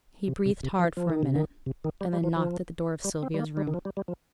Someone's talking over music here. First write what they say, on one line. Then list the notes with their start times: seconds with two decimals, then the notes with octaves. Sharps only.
He breathed hard for a minute, and then knocked at the door of Sylvia's room.
0.28 C3
0.46 C3
0.63 C3
0.79 F3
0.97 F3
1.10 D#3
1.23 C3
1.36 D#3
1.66 C3
1.84 D#3
2.01 G3
2.13 G3
2.24 F3
2.36 F3
3.04 G3
3.23 C4
3.34 G3
3.39 A#3
3.57 G3
3.67 D#3
3.74 F3
3.85 G3
3.97 G3
4.08 F3